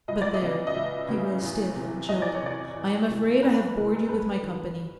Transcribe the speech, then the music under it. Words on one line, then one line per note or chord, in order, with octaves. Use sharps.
But there'--he rose stiff and chilled--'I am afraid I have bored you with my company.
C#2 D#5
D5
D#5
C#3 F#3 B3
D#5
C#2 E5
C#3 F#3 B3
E2
C3 E3
E2 D#5
D5
C#5
C3 E3 D5
E2
C3 E3 G#3
E2 B4
C3 E3 G#3 A#4
A4
A#4
G2 B4
D#3 F#3